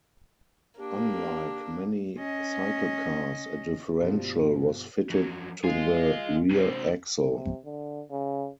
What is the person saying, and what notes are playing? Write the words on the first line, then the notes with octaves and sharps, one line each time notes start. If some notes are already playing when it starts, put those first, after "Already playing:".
Unlike many cyclecars a differential was fitted to the rear axle.
A#3 D4 G4
C#4 D#5
G2 B2 F3 G3
F2 F#3
F4 D#5 G#5
C3 F#3 D4 C5
C3
D3
C#3